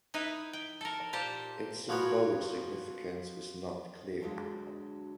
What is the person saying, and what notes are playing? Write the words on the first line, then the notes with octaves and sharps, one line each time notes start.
Its symbolic significance is not clear.
D#4 E4 B4
G5
A4 A#4
A#2 G4 C5 A5
F3 F#4 G#4 A#4 B4 C#5
D2 D3 F#3 G#3 F5